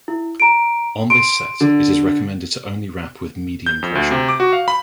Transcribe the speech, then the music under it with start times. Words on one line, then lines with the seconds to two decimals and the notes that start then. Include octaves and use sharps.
On this set, it is recommended to only wrap with medium pressure.
0.08 E4
0.40 A#5 D7
1.10 C6 D7
1.61 D3
3.66 G6
3.82 F2
3.95 D2
4.11 C3
4.28 D6
4.40 F#4
4.53 F5
4.68 B5